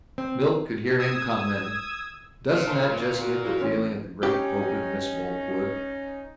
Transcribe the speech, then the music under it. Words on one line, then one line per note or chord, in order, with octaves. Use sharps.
Milt could hear him commenting, "Doesn't that just get the feeling of the great open, Miss Boltwood?"
C4
D#6 E6 G#6
A#2
C5 D#5 A5
D2
F#4
E4 F#4 F5
E3 C4 C#4
C#4 D#4 G4